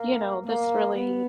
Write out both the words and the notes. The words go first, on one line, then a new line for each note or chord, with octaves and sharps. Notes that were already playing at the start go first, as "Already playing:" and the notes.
you know, "this really"
Already playing: A#3
A#3
B3